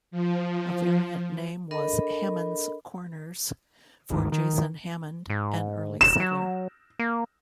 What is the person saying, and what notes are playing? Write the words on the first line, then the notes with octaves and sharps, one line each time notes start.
A variant name was "Hammond's Corners", for Jason Hammond, an early settler.
F3
D4 A4 A#4 D#5 B5
G1 D2 G#2 D#3
D#3
G#2
E1 E7
F#3
A#3